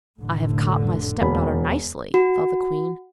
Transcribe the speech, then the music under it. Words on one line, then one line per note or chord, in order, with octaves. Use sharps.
'I have caught my step-daughter nicely,' thought the queen.
F1 A2 D3
E1 A#3 B5
F#4